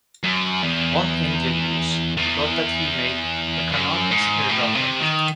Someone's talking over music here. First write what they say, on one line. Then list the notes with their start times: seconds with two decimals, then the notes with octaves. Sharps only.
"Oneindia News" wrote that he made "economics irrelevant".
0.24 F#2
0.63 E2
2.17 E2
3.72 F#2
4.11 G#2
4.49 A2
4.75 C3
5.00 D#3